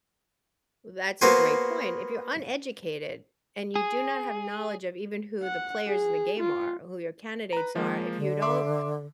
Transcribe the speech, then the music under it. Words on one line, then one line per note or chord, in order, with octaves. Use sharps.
That's a great point. If you're uneducated and you do not have knowledge of even who the players in the game are, who your candidates are, if you don't
A#3 B3 F#4 B4 C5 G#5
G#4
F#5
G#4
F4
B4 A#5
F3 G#3 A#3
D3
E5 C6 D6